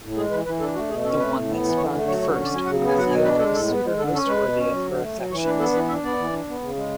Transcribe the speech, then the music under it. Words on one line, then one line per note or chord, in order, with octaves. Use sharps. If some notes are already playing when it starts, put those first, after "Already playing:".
The one that sprouted first would reveal the suitor most worthy of her affections.
A2
G#3 G#4
E3 B4
E3 B4
D4 A4
A3 F#4
B2 G#4
C#4 A4
A3 B4
A2
B3
E3
D3 C#5
A3
F#3 C#5
D3 C#5
C#5
C#4
D5
F#3 G#5
C#3 F#5
B3
G#5
F#3 F#5
B2 G#5
D4 B4
G#3 A4
A2 A4
B3
B4
G#3
D3 A4
C#4 A4
G#3 B4
B2
C#4
F#3
D3
A3
F#3
E3 C#5
D4 B4
B3 A4
E3 B4
D4 E5
B3 D5
E3
D4
B3
C#3
G#3